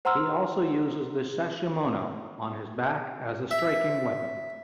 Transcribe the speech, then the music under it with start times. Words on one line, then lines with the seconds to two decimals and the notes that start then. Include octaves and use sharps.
He also uses the sashimono on his back as a striking weapon.
0.05 C5 F#5 A#5 C6 E6 F6
3.51 E5